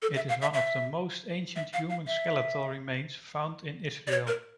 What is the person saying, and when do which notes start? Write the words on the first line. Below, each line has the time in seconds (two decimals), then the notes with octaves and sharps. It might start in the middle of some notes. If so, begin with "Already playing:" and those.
It is one of the most ancient human skeletal remains found in Israel.
0.02 A4
0.15 E5
0.29 F5
0.42 E5
0.54 E5
1.56 E5
1.73 F5
1.90 F5
2.07 E5
4.07 D5
4.11 C#5
4.27 A#4